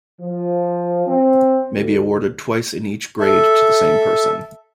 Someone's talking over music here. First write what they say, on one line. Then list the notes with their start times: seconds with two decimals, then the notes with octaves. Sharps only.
May be awarded twice in each grade to the same person.
0.20 F3
1.06 C4
1.73 D2
3.20 A4 E5